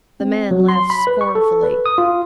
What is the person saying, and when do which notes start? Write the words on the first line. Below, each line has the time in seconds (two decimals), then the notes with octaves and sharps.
The man laughed scornfully.
0.20 C4
0.51 F#3
0.69 C6
0.90 B5
1.07 B4
1.21 C#6
1.35 A4
1.63 B4
1.86 D#6
1.98 F4